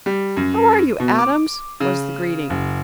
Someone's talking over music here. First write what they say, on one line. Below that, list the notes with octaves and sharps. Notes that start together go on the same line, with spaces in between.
"How are you, Adams!" was the greeting.
G3
F#2
B2
D6
C#3
F#1